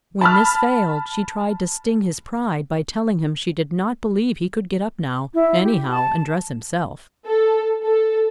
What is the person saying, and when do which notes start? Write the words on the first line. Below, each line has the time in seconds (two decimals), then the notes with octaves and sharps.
When this failed she tried to sting his pride by telling him she did not believe he could get up now, anyhow, and dress himself.
0.21 A5 B5 F6
5.34 E4
5.64 G4
5.91 A5
7.26 A4
7.83 A4